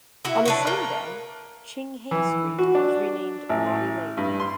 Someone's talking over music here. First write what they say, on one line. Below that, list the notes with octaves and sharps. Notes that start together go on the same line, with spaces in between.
On the same day, Ching Hay Street was renamed Mody Lane.
E4 F#4
D4 B4 C#5
A#3
E3
F#4
D4
A1
G2
C6